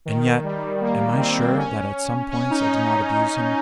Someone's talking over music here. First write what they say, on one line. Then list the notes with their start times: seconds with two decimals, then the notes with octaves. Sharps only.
And yet, am I sure that at some points I did not abuse him?
0.05 D#3
0.44 G3
0.81 A#3
1.19 C4
1.57 C#4
2.31 C#4
2.50 D#4
2.69 C#4